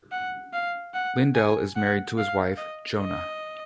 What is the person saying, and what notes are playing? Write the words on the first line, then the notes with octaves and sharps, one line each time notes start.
Lindell is married to his wife Johna.
F#5
F5
F#5
G#5
F#5
F5
D#5
D#5